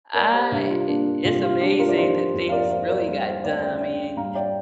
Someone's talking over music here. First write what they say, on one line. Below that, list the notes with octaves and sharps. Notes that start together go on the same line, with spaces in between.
I i it's amazing that things really got done, I mean
A#3 A#4 D5
G4 C5
C2 D4 G4
F4
A#3 D4
C2 F4
G4
F4
D3 D4 G4
F4 A#4
D5
F3 G4 C5
F2
F5
A#4 D5
A#3 C5 F5
A#4 D5
G3 C5 F5
C5 F5
D2 D5 G5
D5 G5
D3 D5 G5
G3 F5 A#5
D5 G5